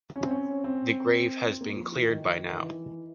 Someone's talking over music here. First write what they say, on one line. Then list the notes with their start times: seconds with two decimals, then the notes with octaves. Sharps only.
The grave has been cleared by now.
0.16 C#4
0.23 C4
0.31 C#4
0.64 C4
1.61 A#3
1.77 F3
1.92 E3
2.08 D#3
2.48 D#3
2.57 E3